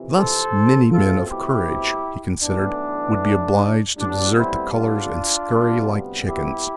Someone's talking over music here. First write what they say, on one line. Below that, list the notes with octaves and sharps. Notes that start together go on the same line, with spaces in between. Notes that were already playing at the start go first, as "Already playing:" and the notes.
Thus, many men of courage, he considered, would be obliged to desert the colors and scurry like chickens.
Already playing: F2 C3 E3
A4 C5
C2 B2 A3 C4 F4 A4
E4 G4
B1 A2 E3 B3 D4
A2 G3 B3 D4
C4 E4
D4 F4
D2 C3 G3 B3
E4 G4